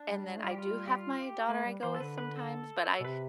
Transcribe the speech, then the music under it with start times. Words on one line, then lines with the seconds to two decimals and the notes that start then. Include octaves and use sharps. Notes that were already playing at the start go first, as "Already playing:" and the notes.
and then I do have my daughter I go with sometimes, but I
Already playing: D4
0.09 G3
0.26 G3
0.37 A3
0.44 G3 F4
0.51 G4
0.58 F4
0.88 G4
0.96 F4
1.22 G4
1.48 A3 B4
1.65 G3
1.83 E3 C5
1.94 A4
2.00 D3 B4
2.18 B4
2.36 A4
3.01 B2
3.05 C3 B4